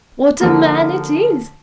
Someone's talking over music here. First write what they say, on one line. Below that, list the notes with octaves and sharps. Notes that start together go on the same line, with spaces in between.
What a man it is!
D3 F3 A#3